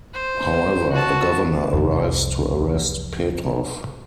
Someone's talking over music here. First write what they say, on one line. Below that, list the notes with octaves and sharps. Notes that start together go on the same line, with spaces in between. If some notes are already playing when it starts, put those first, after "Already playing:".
However, a governor arrives to arrest Petrov.
C5
F#4 A5
C2 F2